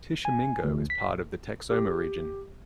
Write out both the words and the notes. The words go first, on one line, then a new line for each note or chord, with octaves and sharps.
Tishomingo is part of the Texoma Region.
G#5
D2
B6
A#1
G4